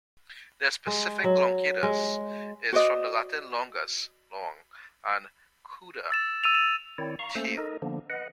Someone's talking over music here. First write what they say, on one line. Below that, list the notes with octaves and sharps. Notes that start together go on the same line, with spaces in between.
The specific "longicaudus" is from Latin "longus", "long", and "cauda", "tail".
G#3
F#3
G#3
F#4 C5 D5 D#5
E6 A6 E7
E6 D#7 F7
E7
D#3 C4 E4 C#5 D5
F5 A#5 C#6
A3 A#3 C#4 A4 C5
D#4 A4 A#4 D#5
D3 F3 A#3 B3 D4
B4 D#5 F#5